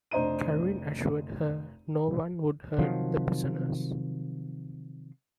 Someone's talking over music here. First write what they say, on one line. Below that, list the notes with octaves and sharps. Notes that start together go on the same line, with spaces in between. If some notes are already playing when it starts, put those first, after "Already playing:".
Karin assured her no one would hurt the prisoners.
F1 D4 C5 D#5 A#5 D#7
C3 D#3 F3 F#3